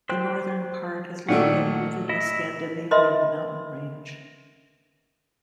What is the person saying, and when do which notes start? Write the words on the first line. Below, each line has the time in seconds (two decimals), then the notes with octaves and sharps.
The northern part is located within the Scandinavian mountain range.
0.09 C5 G5 F#6
1.29 A#2 D#3 A3 F#5
2.09 E4 D#5
2.91 A#4 B4 D#5 E5 B5 C6